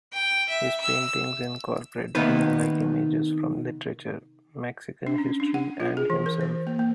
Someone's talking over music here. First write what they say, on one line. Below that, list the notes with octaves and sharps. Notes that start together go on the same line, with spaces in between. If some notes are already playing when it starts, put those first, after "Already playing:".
His paintings incorporate dreamlike images from literature, Mexican history, and himself.
G5
E5
E6
C3 D#3 A#3 B3 D#4 B4
D4
C#4
D4
F#5
F4
G#4
E3
A#4
C5
A#3
A#3